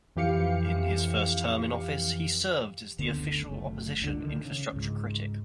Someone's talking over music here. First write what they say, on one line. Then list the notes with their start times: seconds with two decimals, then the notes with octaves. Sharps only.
In his first term in office he served as the official opposition Infrastructure critic.
0.16 F2 E3 G4 F5 C#7
2.99 F#1 D2 D3 B3
3.49 F#1 A3
4.02 C#2 D3 C#4 D4
4.20 D3 D#3
4.45 C#3
4.73 C#2 G#2